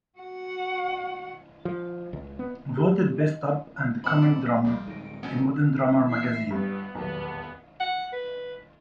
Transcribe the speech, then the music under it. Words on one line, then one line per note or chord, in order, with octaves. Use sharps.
Voted best Up and Coming drummer in Modern Drummer magazine.
F#4 F#5
F3
C#2
B3
G4
D#5
A#2 F#3 C4 D#4 E4 F#5 A5 B5
D5
C#2 C#3 F3 G3
D1 G#3 D#4 D7
B2 F3 F#3 B3 C#4
E3 E5 C7
G2 G3 B3
D#1 B1 E2 B3
F#5
B4